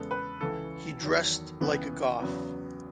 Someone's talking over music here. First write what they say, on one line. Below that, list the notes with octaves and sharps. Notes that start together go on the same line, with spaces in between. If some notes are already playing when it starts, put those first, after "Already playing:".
He dressed like a Goth.
Already playing: E2 C#3 G#3 B3 A4
B4
C#2 C#3 E3 A4
E2 D#3 F#3
C#2 C#3 E3 B3
E2 C#3 F#3 B3